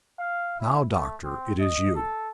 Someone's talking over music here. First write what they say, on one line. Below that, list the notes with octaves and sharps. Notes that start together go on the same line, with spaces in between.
"Now, doctor, it is you."
F5
E4
A3
C4
D#5
A4